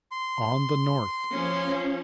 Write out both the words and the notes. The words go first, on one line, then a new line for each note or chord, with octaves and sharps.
On the North.
C6
F3 C#4